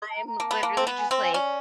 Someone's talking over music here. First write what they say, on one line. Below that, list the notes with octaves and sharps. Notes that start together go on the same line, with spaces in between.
I'm literally just like
A5
A#5
A#5
A#3 A5
B3
A#3 A5
C4
B3
G#5
C4 C6
G#5
C#4 D5